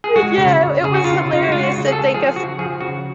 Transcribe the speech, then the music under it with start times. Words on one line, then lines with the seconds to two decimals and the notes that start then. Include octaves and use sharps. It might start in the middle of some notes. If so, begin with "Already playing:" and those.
Uh, yeah, i it was hilarious to think of
0.04 G#4
0.16 G#3 F#4
0.38 C#3
0.60 C#3
0.82 C#3 G#4
0.94 F#4
1.04 C#3 F4
1.26 C#3
1.33 F4
1.43 F#4
1.48 G#3 F4
1.63 F#4
1.71 C#3
1.88 G#4
1.92 G#3 A4
2.14 F3 G#4
2.36 C#3 F#4
2.59 F3 G#4
2.81 C#3 F#4